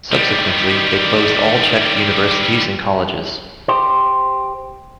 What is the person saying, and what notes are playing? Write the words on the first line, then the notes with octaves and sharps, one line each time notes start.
Subsequently, they closed all Czech universities and colleges.
D#3 G3
G4 C5